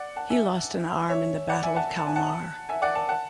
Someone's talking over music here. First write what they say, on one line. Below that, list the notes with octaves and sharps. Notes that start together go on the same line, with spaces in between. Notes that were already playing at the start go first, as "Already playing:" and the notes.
He lost an arm in the Battle of Kalmar.
Already playing: D5 F#5
F#5 A5
E5 G#5
C#5 E5
D5 F#5
E5 G#5
F#5 A5
A5
G#5
F#5 A5
E5 G#5
D5 F#5
F#5 A5
F#5 A5